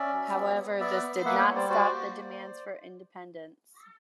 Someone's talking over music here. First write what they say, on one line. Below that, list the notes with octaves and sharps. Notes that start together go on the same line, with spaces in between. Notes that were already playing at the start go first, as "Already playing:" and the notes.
However, this did not stop the demands for independence.
Already playing: C#4 D5 E5
F#3
B3
B3
B3 D5 E5
B3
A#3 E5 F#5
B4 C#5
G3
C5 D5
F#4 C5 D5
A#3